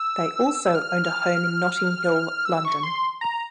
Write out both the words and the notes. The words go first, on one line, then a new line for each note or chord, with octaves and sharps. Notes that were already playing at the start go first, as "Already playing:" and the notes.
They also owned a home in Notting Hill, London.
Already playing: E6
F6
F6
E6
C#6
C6
A#5